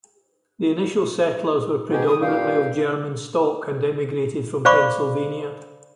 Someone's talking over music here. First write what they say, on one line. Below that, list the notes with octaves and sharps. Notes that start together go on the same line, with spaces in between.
The initial settlers were predominantly of German stock, and emigrated from Pennsylvania.
G#2 B2 D#4 G4 G#4
A4 D#6
G2 A#2 C#4 G4 F5
C5 D5 F5 B5 C#6 D6